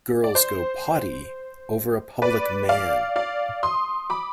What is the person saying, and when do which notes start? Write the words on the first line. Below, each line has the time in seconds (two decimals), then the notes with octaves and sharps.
Girls go potty over a public man.
0.24 D5
0.35 C5
2.22 B4 D5
2.69 D5 F5
3.16 D5 F5
3.63 C6 D#6
4.10 B5 D6